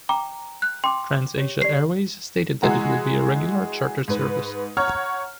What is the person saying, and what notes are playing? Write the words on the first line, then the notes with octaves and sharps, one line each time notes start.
TransAsia Airways stated that it will be a regular chartered service.
G5 A#5 D6
F#6
G5 C6 D6
G4 C#5
G4 D5 C7
E3 G#3 F#4 A#5
G#2 B4
C#5 F#5 A#5 C#6 F6